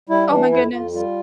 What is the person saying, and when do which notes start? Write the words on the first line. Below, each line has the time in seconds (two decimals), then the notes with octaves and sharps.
Oh my goodness.
0.09 G3 E4
0.30 E3 D4
0.52 F2 E4
0.72 F2 F4
0.94 G3 F4